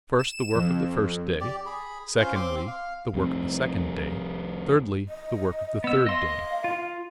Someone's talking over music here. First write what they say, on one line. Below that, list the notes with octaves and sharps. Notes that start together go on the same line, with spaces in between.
First, the work of the first day; secondly, the work of the second day; thirdly the work of the third day.
E7
F2
G4 D5
G#4 B5
C#4 F4 C5 F5
C4 C6 D6
F5
C2 F2 C3
D#5
B3 E6
D#5 F5 C6
F4